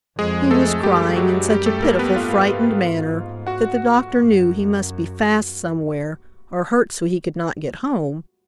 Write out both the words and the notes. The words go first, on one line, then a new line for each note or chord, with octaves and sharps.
He was crying in such a pitiful, frightened manner that the doctor knew he must be fast somewhere or hurt so he could not get home.
F2 G#3 G#4
A3 A4
F#2 G3 G4
F#3 F#4
G3 G4
A3 A4
A#3 A#4
B3 B4
G#2 F4 F5
F#4 F#5
F#2